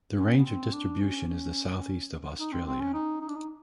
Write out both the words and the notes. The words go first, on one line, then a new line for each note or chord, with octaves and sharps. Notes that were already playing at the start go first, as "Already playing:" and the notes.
The range of distribution is the south east of Australia.
C#4
B3
C4
D4
C#4
C#4
D#4
C4
C4
C#4
D#4
D#4
D4
D#4